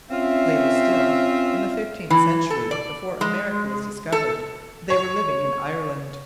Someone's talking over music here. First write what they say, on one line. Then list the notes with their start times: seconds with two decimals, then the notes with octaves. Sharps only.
Later still, in the fifteenth century, before America was discovered, they were living in Ireland.
0.10 C4 C#4 F4 E5
2.10 E3
2.50 A4
2.71 D5
3.21 G#3
4.12 A4
4.90 C#5